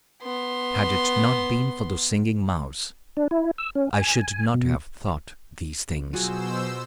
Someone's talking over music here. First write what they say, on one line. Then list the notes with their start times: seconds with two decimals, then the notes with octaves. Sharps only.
Had it not been for the Singing Mouse I should not have thought these things.
0.23 B3 C6
3.17 D4
3.31 E4
3.58 E6
3.75 C#4
3.94 G#5
4.54 B2
6.13 B2 F#3 F4 F#4 G#4 C5 E6